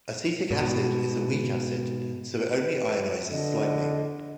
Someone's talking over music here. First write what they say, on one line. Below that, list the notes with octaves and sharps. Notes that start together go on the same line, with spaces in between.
Acetic acid is a weak acid so it only ionizes slightly.
G#2 B2
B4
D3 D#5